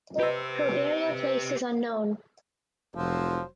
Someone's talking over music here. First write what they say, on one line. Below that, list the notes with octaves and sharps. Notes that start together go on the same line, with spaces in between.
Her burial place is unknown.
G4 B4 C5 E6
F1 F3 F#3 C5